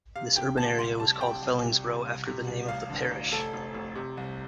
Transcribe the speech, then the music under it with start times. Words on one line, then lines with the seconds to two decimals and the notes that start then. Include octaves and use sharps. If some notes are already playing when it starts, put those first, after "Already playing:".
This urban area was called Fellingsbro after the name of the parish.
0.16 C3 F5
0.36 C3 G5
0.57 D2 A5
0.78 C2 C6
1.00 C3 A5
1.21 C3 G5
1.42 C2
1.63 C3
1.84 C3
2.05 C2
2.27 C3
2.48 C2
2.69 A1 F5
2.90 D3
3.11 A1
3.32 F1 A4
3.53 F1
3.74 F1
3.95 C3
4.17 C2